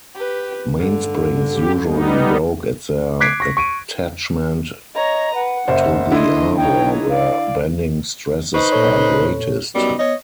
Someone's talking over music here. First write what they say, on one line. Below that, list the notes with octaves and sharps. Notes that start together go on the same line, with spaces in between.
Mainsprings usually broke at their attachment to the arbor, where bending stresses are greatest.
G4 B4
G2 D3
G4
G3 B3 D#4
D6 F#6 G#6 B6 C7 D7
C#6 A#6
C#6 D7 D#7
C#5 D#5 A#5
B4 F#5
F#1 C5 E5
D3 E4 D#5 C6
D#4 C#5 G5
D5 F5
D#4 B4 C5 C#6
A#2 A4 C#5
F#2 G3 B3 D#4
C#5 D#5